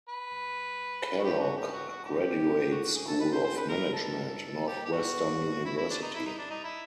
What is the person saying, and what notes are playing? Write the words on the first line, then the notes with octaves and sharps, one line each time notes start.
Kellogg Graduate School of Management, Northwestern University.
B4
F#4
G4
F#4
G4
F#4
F#4
G4
F#4
F#4
G#4
A4
B4
C5
C5
B4
A#4
A4
G4
G4
F#4
E4
E4
D4
D#4
E4
D#4
D4
D#4
E4